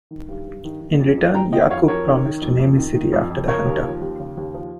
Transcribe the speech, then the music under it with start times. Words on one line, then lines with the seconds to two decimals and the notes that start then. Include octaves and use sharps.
In return Yaqub promised to name his city after the hunter.
0.11 D#3
0.28 G2
0.47 G2
0.64 D#3
0.81 D#3
0.99 F2
1.18 F2
1.34 D#3 G5 A#5
1.53 D#3 D#5 G5
1.70 F2 C#5 F5
1.88 F2 A#4 C#5
2.06 D#3
2.24 D#3
2.42 F2
2.59 F2
2.77 D#3
2.95 D#3
3.13 F2
3.30 F2
3.48 C#3 A#4 C#5
3.66 D#2
3.84 F3
4.01 D#2
4.20 C#3
4.37 D#2
4.54 F3